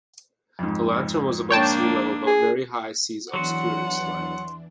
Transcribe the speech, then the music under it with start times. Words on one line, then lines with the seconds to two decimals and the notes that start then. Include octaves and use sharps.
The lantern was above sea level but very high seas obscured its light.
0.59 F2 G#2
1.51 A#3 D4 C#5 G5 A5
2.27 G#4
3.34 E2 E3 F#3 D4 F#4 F#5 C6